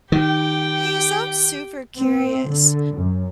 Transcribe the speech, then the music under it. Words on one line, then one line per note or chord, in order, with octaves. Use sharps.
Hey, so I'm super curious.
D#3 G4 G5
C4
D3
F#2